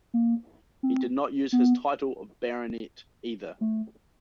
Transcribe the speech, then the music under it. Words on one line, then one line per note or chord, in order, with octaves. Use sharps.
He did not use his title of baronet either.
A#3
C4
B3
A3